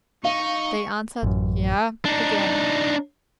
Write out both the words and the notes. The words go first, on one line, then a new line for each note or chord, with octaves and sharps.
They answered "yea" again.
D#4 F5 C#6
A1 F#2
D4 D#4